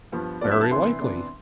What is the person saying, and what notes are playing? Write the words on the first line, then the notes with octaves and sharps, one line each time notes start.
"Very likely."
G2 F3 B3
G2 F3 B3 D5
E5
A5
C3 E3 B3 D4 C6
C3 E3 B3 D4